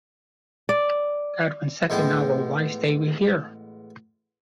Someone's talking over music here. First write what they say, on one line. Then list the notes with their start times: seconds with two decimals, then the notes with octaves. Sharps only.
Godwin's second novel Why Stay We Here?
0.69 D5
1.90 A1 G#3 B3 G5